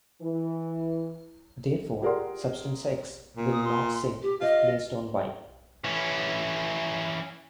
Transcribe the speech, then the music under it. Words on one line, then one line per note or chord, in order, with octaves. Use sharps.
Therefore, substance X will not sink if placed on Y.
E3
G4 G#4 A#4 D5 F#5 C6
A#2
D#6
C6
G4
F4 D#5
E3 C#4